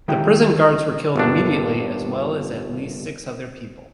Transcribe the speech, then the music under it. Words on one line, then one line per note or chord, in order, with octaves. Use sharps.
The prison guards were killed immediately as well as at least six other people.
D#3 G#3 E4 G4 C#5 G5
G1 D#2 D4